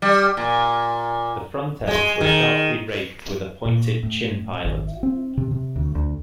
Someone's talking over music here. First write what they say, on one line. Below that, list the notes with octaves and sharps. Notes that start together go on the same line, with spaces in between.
The front ends were sharply raked, with a pointed "chin" pilot.
G3
A#2
G#3
D#3
A#2
A2
G#1
C4
C3
C3
D2
D2